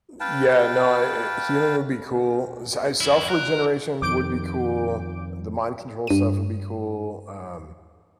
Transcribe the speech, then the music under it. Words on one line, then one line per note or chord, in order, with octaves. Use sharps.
yeah, no, e healing would be cool, s I self regeneration would be cool, the mind control stuff would be cool, um,
B4 F5 G5 A5
F2 E4
A#4 F#6
F2 D#3 D6 G6 D7
G2 D#7